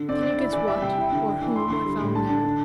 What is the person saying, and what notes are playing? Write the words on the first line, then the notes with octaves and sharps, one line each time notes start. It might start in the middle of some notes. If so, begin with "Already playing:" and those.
Can you guess what, or whom, I found there?
Already playing: D3
C4 D5
D3 D5
E4
E3 D5
G3 E5
C3 G5
E4
D3
D4
E3
E4 C6
D3 C6
G3
A2
D4 A5
D3
D4